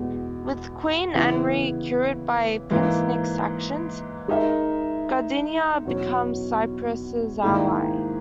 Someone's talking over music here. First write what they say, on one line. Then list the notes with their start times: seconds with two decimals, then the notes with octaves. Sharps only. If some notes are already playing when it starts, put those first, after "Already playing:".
With Queen Anri cured by Prince Nick's actions, Guardiana becomes Cypress's ally.
Already playing: E2 B2 G#3
1.13 C#3 E3 B3 E4
2.71 G#2 E3 A#3
4.28 G#3 D#4 A#4 E5
5.85 E2 B2 F#3 C#4
7.43 G#2 D#3 A#3 E4 G#4